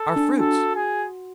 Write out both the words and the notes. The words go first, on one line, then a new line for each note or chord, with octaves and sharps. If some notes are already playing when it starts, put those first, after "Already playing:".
Our fruits.
Already playing: A4
D4
F#4 A4
G#4